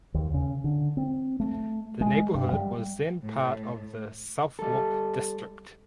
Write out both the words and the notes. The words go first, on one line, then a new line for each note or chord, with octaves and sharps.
The neighborhood was then part of the Southwark district.
D#2
C#3
D3
C4
A3
G#3
G2
G3
A2
G3 A4